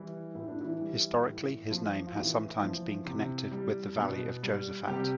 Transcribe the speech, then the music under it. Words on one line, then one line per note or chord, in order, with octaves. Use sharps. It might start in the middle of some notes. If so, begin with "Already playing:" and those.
Historically, his name has sometimes been connected with the Valley of Josaphat.
Already playing: E3 G3 E4
A2 E4
D4
E3 E4
G3
A2
F3
F4
A2 E3 E4
F3
C3
G3
B2
G3
C3 G3 G4